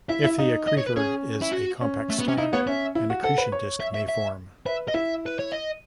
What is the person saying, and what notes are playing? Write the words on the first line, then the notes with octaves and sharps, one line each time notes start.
If the accretor is a compact star, an accretion disk may form.
E4 E5
E4
D#4
D#5
C#5
B4
C#4 G#4
E4
F#4
C#4
A3
B3
C#4
D#4 E4
B3 C#5
C#4 E5
E4
F#4
A4 F#5
B4
C#5
E5
E5
E5
B4 E5
D#5
E4 E5
B4
C#5
D#5